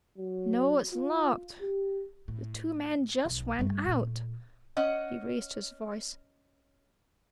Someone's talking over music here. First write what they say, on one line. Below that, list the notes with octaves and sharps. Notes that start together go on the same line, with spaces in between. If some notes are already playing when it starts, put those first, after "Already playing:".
"No, it's locked--the two men just went out." He raised his voice.
F#3
F4
G4
A2
B1
G2 A3
A#2 A3
C#4 D#5 F#5